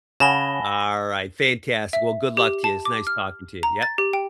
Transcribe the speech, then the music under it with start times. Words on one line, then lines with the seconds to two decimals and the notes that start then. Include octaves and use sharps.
All right, fantastic. Well, good luck to ya, it's nice talking to you. Yep.
0.20 C#3 F#5 G#5 A5 B5 A#6 E7 G7
1.93 E5
2.37 G4
2.64 A5
2.85 D6
3.07 F6
3.63 A#5
3.82 A6
3.98 G4
4.13 G5